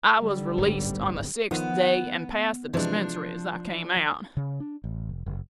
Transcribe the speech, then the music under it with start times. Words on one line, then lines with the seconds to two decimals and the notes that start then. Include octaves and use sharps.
I was released on the sixth day and passed the dispensary as I came out.
0.20 D3 G3
0.57 D1 G1 G#2
1.51 D#3 F3 B3
2.74 C3 E3 F3 G#3 D4
4.37 C#3
4.60 D4
4.84 A1
5.09 F1
5.26 F#1